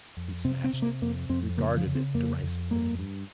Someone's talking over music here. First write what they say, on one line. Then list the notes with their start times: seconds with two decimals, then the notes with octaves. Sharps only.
He snatched it; regarded it derisively.
0.17 F2
0.45 C3 C4
0.64 C4
0.73 C3
0.82 A#3
1.02 F2 A#3
1.29 F2 C4
1.57 C#3 A#3
1.77 F3
1.86 C#3
1.95 C4
2.14 F2 A#3
2.43 F2
2.70 G2 A#3
2.99 G2